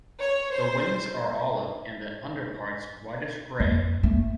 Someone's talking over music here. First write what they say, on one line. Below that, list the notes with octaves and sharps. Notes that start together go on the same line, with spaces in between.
The wings are olive and the underparts whitish grey.
C#5
C5
F2
A3